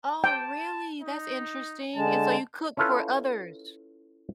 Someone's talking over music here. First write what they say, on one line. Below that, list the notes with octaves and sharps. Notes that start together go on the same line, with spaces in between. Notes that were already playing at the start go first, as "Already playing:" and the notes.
Oh, really? That's interesting, and so you cook for others.
G5 A5
D#4
D3 G#3 A5
C#4 E4 F4 A4 B4